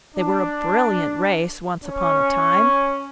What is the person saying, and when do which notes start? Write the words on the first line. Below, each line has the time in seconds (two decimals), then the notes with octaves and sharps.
They were a brilliant race once upon a time.
0.14 D4
1.84 C#4